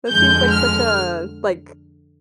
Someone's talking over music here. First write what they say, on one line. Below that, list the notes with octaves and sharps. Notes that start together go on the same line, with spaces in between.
That seems like such a, like
F2 D3 G#3 G6
F6